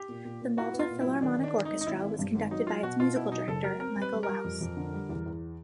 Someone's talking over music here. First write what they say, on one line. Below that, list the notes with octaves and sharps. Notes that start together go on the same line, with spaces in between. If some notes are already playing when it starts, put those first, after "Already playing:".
The Malta Philharmonic Orchestra was conducted by its Musical Director, Michael Laus.
Already playing: G4
A#2
A#2
A#2
E4 F#4
B3
F4
A#2
E4
F#3
D#3 D4
D#3
D4
D#3
D#4
G#1
D#4
G#1 E4
G#1
G2
G#1
F#3 D#4
F#3 F4
B2 F#4
B2 F4
B2 E4
F#3 D#4
F#1 A4
F#3 A#4
C4 A#4
G3
B4
G3
A#4
G3
F2
F2
D3
G3
E2
E2